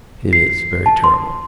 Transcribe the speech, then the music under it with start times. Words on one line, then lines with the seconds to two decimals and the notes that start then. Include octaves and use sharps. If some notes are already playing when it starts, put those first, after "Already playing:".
It is very terrible....
0.33 C7
0.86 A5
1.04 C6